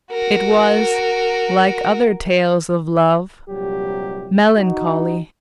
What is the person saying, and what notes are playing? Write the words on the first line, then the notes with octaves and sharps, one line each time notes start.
It was, like other tales of love, melancholy.
F#4 A#4
A#1 C3 F#3 G3 G4
D#4 F#4